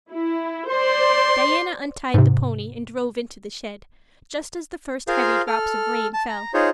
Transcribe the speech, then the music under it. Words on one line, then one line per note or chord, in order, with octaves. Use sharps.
Diana untied the pony and drove into the shed, just as the first heavy drops of rain fell.
E4
C5 D5 C6
G#2 C3
F4 G#4 A#4 C5 F5
A4 F6
A5
A#5
D#4 F4 G#4 C5 C#5